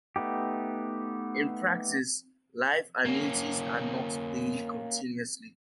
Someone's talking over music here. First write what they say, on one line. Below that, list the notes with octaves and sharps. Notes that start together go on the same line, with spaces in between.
In practice life annuities are not paid continuously.
A3 B3 D#4 G4
A#3 C#4